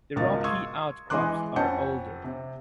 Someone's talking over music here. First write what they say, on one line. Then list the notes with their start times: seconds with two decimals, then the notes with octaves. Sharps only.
The rocky outcrops are older.
0.16 C#2 G#2 B2 F4 A#4 A6
0.44 C6 C#6 D#6 E6 G#6
1.10 E3 G#3 D#5 C6 D6 F#6
1.56 F2 C#4 F#5 A5 G6 C#7
2.24 C3